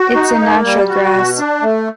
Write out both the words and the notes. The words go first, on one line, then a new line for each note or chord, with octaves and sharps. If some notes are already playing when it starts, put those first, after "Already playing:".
It’s a natural grass.
Already playing: F#4
D#4
A#3
G3
F#4
B2
D4
A3